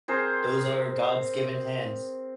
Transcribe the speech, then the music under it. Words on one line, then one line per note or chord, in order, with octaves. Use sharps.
Those are God's given hands.
C4 G#4 A#4 C5